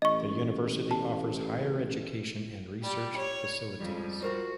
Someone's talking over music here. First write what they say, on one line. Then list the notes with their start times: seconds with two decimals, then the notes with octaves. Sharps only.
The university offers higher education and research facilities.
0.02 A1 D#5 C#6
0.91 A5
2.82 G3
3.16 C#5
3.80 F2 G3 G#3
4.22 F4 F#4 A#4 C5